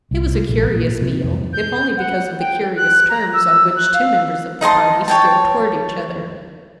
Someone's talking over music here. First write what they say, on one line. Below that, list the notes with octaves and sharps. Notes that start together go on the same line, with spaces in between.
It was a curious meal--if only because of the curious terms on which two members of the party stood toward each other.
C2
A#1
A#2
C3
F2
G6
F#5
G5
F#6
A#5
E6
F#6
F5
D#4 D#5 A5 C6
C#5 G5 A5